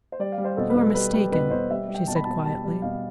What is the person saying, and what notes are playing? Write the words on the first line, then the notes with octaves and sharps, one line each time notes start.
"You are mistaken," she said, quietly.
C5
G3 D5
F5
G3
C5
B2 A4
B4
B2
A4
G3 B4
G3 B4
B2 B4
B2 C5
G3 E5
G3
G5
B2 A5
B5
B2 A5
G3 A5
G3
B2 F5